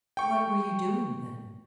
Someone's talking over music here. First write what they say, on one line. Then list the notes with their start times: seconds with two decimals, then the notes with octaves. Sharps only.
"What were you doing, then?"
0.17 G5 C#6